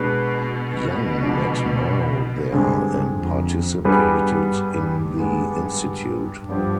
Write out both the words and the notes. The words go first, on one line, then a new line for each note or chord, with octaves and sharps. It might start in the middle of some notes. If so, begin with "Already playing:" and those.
Yang met Mao there and participated in the institute.
Already playing: B2 G#3 D4 G#4 B4
F3 G#3 D4
G2 D3 G#3 C4
F2
G2 G3 B3 D4 G#4 B4
D#3 G#3 B3
G2 F3 B3 D4 G4 C5